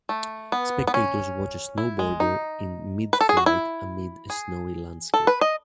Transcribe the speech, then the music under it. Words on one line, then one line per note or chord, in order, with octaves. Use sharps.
Spectators watch a snowboarder in midflight amid a snowy landscape.
A3
B3
B3
C#4
E4
G#3
D#4
B4
A4
G#4
F#4
E4
G#4
A4
B4
D#5